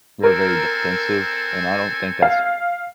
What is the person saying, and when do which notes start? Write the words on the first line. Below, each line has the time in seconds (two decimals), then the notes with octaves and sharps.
we're very defensive, and I don't think that's
0.23 C4 A4 A#4 G#5
2.22 F5